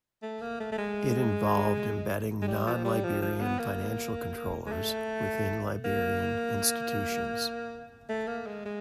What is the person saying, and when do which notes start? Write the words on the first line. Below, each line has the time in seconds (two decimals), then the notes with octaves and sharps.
It involved embedding non-Liberian financial controllers within Liberian institutions.
0.23 A3
0.42 A#3
0.60 A3
0.72 A3
0.78 G#3
2.42 G#3
2.48 G3
2.67 F3
2.85 G3
3.04 F3
3.22 F3
3.41 B3
3.59 A#3
4.66 G#3
4.72 A3
5.85 A#3
8.09 A3
8.28 A#3
8.47 G#3
8.66 G#3